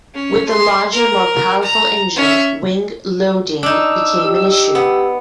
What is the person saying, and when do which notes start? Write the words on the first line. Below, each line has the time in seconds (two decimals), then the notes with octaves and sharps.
With the larger, more powerful engine, wing loading became an issue.
0.14 C#4
0.48 C6
0.92 A#4
1.62 A#5
2.16 C#4 E5
3.63 D4 D#4 E6
4.25 G4
4.75 B3